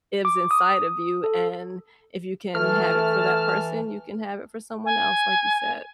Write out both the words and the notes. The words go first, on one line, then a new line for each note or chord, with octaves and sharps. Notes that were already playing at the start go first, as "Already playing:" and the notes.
is inside of you and if you can have it for that person, you can have it for someone else, like you said.
D6
D#6
A4
E3 A3 A5 F6
G#5